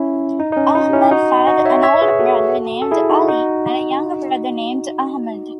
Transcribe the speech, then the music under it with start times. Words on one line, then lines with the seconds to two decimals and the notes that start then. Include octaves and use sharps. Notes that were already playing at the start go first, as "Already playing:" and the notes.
Ahmad had an older brother named 'Ali and a younger brother named Ahmad.
Already playing: C#4 E4
0.40 D#4
0.52 D#4
0.57 C#4
0.75 D#4
0.93 C#4 E4
1.11 D#4 F#4
1.47 D#4 F#4
1.65 C#5 E5
1.83 C#5 E5
2.01 G#4 B4
2.19 F#4 A4
2.82 A4
2.91 E4 G#4
3.09 D#4 F#4
3.28 D#4 F#4